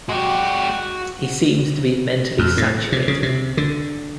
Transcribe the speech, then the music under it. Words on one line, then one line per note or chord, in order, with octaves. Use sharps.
He seems to be mentally saturated.
G#3 F#4 G4
F2
A2
C3
C#3
C3
D3